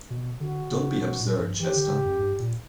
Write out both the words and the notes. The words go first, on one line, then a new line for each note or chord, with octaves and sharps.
Don't be absurd, Chester.
B2
D3 F#4
C#3
B2
A#2
G2
E3 G4
D3
C#3
F#2
G2
A#2